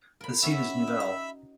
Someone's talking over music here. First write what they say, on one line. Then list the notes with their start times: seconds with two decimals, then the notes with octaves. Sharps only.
The seat is Nouvelle.
0.21 A#4 B5
0.43 C#4 F#4 E5 B5 E6
0.87 D#4